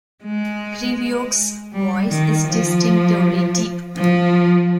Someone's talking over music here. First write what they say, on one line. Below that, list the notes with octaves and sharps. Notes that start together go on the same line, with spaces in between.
Grevioux's voice is distinctively deep.
G#3
G3
D#3
F3
F3